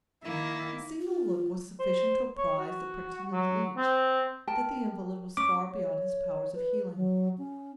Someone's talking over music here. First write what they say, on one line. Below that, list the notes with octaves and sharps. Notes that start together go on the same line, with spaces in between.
A single look was sufficient to apprise the pretended leech that the invalid was far beyond his powers of healing.
D#3 A#3 E4
F4
C5
C#5
F#4
F#3
C4
A#4 G5 A5
C#4 D6
C#5
B4
F#3
C#4